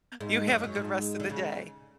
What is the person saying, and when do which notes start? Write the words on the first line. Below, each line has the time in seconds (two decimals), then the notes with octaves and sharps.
You have a good rest of the day.
0.20 G#2 G#3
0.48 F#2 F#3
0.64 F#3
0.75 G#2 G#3
1.20 D3
1.30 C#3